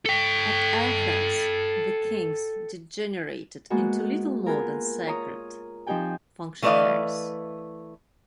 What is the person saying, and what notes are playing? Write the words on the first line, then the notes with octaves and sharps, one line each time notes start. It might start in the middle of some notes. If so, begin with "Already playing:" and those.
At Athens the kings degenerated into little more than sacred functionaries.
A4 G5
G#3 A#3 B3 F#4
B3 F4 G#4 A#4
F4 C#5 A#5 D#6
F3 C4 D#4 G4 G5 G#5
E3 A3 B4 D5 D#5 F5